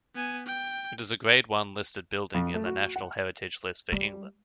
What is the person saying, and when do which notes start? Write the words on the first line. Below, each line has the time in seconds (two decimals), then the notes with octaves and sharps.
It is a Grade One listed building in the National Heritage List for England.
0.15 B3 G#5
0.46 G5
2.34 F2
2.54 A3
2.66 F#4
2.96 F#5
3.92 G3